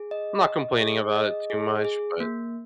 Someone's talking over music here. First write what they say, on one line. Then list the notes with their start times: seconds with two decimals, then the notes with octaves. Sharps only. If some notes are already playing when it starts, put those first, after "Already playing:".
I'm not complaining about it too much, but,
Already playing: G#4
0.11 D#5
0.46 D#5
0.81 G#4
1.16 D#5
1.50 G#4
1.85 G#4
2.20 A#3